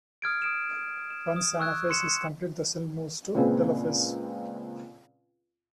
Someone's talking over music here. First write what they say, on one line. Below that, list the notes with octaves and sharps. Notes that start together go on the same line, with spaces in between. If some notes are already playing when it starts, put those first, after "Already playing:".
Once anaphase is complete, the cell moves into telophase.
D#6 F6 G#6 D7
D#6 D7 E7
E7
D#6
C#6 E6 F#6 G#6
C6 C#7 E7
C#2 A#2 C4 G#4 B4